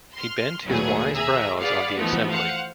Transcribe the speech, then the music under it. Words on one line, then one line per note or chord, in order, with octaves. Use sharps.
He bent his wise brows on the assembly.
C6 F6
D#2 A#2 F#3 A3 B3 G#4
G#4 E5 A#5 E6
G#4 B4 D5 F5 F#5
E3 F3 A3 B3 D#4
C5 F5 F#5